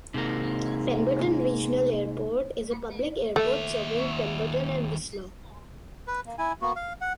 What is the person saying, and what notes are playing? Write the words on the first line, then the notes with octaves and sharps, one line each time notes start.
Pemberton Regional Airport is a public airport serving Pemberton and Whistler.
G#2 C3 A#3
D#2 A3 E5
B4
A#3
E4 G#5
A#3 B3 F#4
F5
F#5